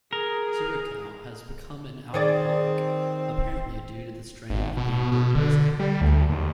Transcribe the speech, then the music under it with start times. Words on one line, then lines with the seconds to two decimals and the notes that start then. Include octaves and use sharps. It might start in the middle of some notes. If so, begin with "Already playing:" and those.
Cirocco has become an alcoholic, apparently due to the strain of being the "Wizard".
0.13 G#4 A#4
2.14 D#3 C4 G#4 D5
4.50 G#1
4.77 B2
5.12 B2
5.35 D3
5.80 G3
6.01 D2
6.30 D#2